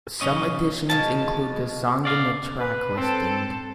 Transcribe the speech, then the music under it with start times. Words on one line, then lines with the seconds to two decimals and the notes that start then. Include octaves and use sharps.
Some editions include the song in the track listing.
0.21 B1 C#4 D#5
0.90 B2 F3 G#3 A5
2.05 D5 F5
2.59 B4
2.97 C4 A4